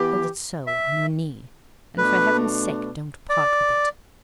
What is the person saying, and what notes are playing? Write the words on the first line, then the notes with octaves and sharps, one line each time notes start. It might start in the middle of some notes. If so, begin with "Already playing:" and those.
Hold it so, on your knee; and, for Heaven's sake, don't part with it.'
Already playing: E3 B3 G4
E5
B2 A3 D4 B4
D5